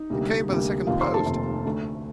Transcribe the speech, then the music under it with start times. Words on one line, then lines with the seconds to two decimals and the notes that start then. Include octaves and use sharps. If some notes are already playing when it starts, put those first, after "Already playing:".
It came by the second post.
Already playing: D#4
0.10 D2 C3 G3 A#3
0.49 D2 C3 G3 A#3
0.87 F1 D#2 D#3 F4 F5
1.01 C5 C6
1.13 A4 A5
1.26 F1 D#2 D#3
1.65 D2 D3 A3